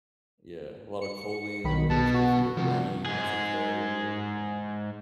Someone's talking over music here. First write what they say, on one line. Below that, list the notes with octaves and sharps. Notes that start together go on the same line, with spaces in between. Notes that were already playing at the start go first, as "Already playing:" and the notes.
yeah, a lot of choline, they're goo it's good for your brain, mental clarity, um,
C#7
B1 D#3 B5
B2 B3 A5
F#4
C3 F3
G#2 G#4